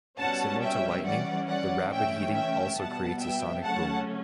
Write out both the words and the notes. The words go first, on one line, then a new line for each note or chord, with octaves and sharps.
Similar to lightning, the rapid heating also creates a sonic boom.
B2 G3 C#4 F#5 A5
E5 G5
E3 G3 C#4 D5 F#5
D5 F#5
C#3 E3 A3 C#4 E5 G5
E5 G5
B2 G3 B3 F#5 A5
E5 G5
C#3 F#3 A3 C#4 F#5 A5